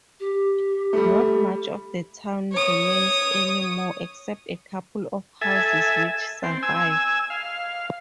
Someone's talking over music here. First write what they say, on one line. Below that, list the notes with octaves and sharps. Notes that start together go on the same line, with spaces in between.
Not much of the town remains anymore except a couple of houses which survived.
G4
G3 A3
C#5 D#6
A4 E5 G#5
C4
G#5 E6
F5